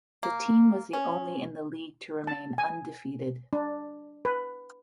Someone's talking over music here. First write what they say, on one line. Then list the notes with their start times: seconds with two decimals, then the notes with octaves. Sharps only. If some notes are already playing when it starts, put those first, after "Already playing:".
The team was the only in the league to remain undefeated.
0.23 A#3
0.93 C#4
2.27 A5
2.58 G#5
3.53 D4
4.25 B4